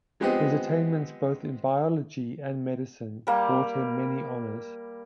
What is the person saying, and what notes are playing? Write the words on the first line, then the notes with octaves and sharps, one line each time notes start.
His attainments, both in biology and medicine, brought him many honours.
F3 G#3 B3 C4 G4 D#5
G3 A#3